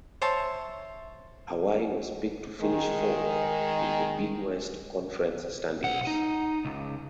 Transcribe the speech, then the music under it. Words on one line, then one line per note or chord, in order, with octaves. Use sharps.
Hawaii was picked to finish fourth in the Big West Conference standings.
C5 C#5 E5 A5
D#3 G#3
B1 F#5
D#4
C#2